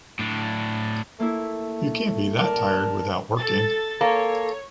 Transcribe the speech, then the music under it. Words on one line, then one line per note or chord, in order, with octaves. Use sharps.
You can’t be that tired without working.
A2 D4
A3 A#3 E4
A#4 D5 A5
A4 A6
A#3 A4 C#5